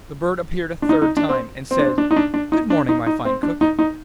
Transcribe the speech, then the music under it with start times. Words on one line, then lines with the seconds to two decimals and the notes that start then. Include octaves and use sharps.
The bird appeared a third time, and said: 'Good-morning, my fine Cook.'
0.82 D4
0.89 D#4
1.02 D#4
1.17 D4
1.29 C4
1.71 C4
1.79 D4
1.86 C4
1.98 D4
2.11 D#4
2.16 D4
2.34 D4
2.52 D#4
2.70 D4
2.89 D#4
3.06 D#4
3.25 C4
3.43 D4
3.61 D#4
3.79 D#4